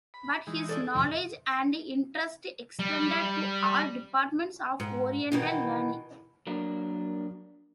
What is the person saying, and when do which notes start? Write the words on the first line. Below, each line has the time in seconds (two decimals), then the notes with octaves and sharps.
But his knowledge and interest extended to all departments of Oriental learning.
0.14 B5
0.47 E3 G#3 D#4
0.69 A4 D5 E5
0.95 F2 C3 D#3
2.79 G3
4.80 G#2
5.32 B2 D#3 E3
6.47 F#3 A#3 D4 A#4